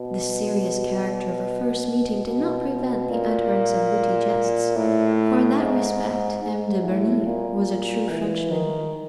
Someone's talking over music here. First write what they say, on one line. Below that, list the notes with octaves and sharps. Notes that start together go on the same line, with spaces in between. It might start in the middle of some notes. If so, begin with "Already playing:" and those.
The serious character of a first meeting did not prevent the utterance of witty jests, for in that respect M. de Bernis was a true Frenchman.
Already playing: B2
B2
A#2
A2
G#2
G#2
A2
A#2
E3
D#3